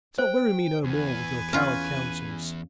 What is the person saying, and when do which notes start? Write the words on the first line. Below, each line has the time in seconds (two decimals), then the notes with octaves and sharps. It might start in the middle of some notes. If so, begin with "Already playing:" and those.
So weary me no more with your coward counsels.
0.18 C5 G5
0.84 E2 B4 G#5
1.53 C#4 F4